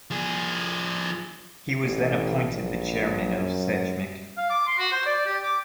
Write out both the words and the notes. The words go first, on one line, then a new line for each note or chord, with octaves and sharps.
He was then appointed the Chairman of "sejmik".
F3 G#4
A1
A#1
F#2
F5
D6
C6
F#4
C5
D5
G4
D6